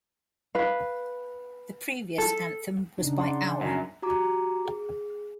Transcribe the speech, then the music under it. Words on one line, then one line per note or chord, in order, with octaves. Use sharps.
The previous anthem was by Aur.
B4 F5
A4
C#3 D4 D#4
D5 F#5 C6
F#2 F#5
F#4 G4 A#5 D6
G#4